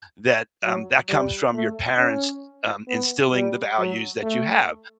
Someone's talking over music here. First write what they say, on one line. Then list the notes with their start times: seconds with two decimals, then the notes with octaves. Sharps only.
that um, that comes from your parents, um, instilling the values that you have,
0.64 F#3
1.09 G3
1.54 A3
1.98 C#4
2.89 B3
3.33 G3
3.78 F#3
4.22 A3